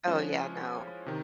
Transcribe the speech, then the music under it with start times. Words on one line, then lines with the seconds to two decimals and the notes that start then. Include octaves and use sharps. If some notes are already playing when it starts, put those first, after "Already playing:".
Oh, yeah, no.
0.07 F3 G#3 C#4 E4
1.06 C3 D#3